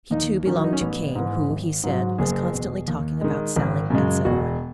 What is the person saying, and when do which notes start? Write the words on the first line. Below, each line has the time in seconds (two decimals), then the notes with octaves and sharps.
He too belonged to Cain who, he said, was constantly talking about selling, etc.
0.11 D#2 D#4
0.45 D#3 F#3 C#4
0.57 E4
0.64 D#4
0.73 C#4
0.80 A1 B3
1.15 G#2 E3
1.50 G#1
1.83 G#2 F#3
2.18 F#1 G#4
2.53 E2 B2
2.88 D#2
3.21 D#3 G#3
3.56 G#1
3.90 F#2 C#3 G#3
4.25 E1 F#4